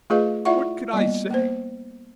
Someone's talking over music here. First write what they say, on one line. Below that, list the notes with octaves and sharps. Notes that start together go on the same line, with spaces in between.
What could I say?
A3 F4 G#4 B4 D#5 F5
E4 F4 D5 E5 F#5 C#6
G3 A#3 B3 D#5
A#3 B3 C5